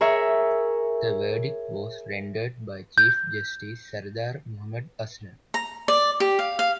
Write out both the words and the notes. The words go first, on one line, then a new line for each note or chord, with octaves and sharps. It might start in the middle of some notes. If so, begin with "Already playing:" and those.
The verdict was rendered by Chief Justice Sardar Muhammad Aslam.
G#4 A#4 C#5 E5
G6
A#5
D5
G4
F5
F5